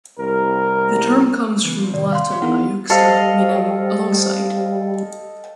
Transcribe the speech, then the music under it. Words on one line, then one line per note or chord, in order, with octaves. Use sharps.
The term comes from the Latin "iuxta", meaning "alongside".
C2 A#4
C#3 E3 B3
F3 G3 C4
A2 C3 D#3 D5
F5 C6
G4 C#5 E5
E2 D#4 A#4 F#5
G3 A4 C5 D#5 F5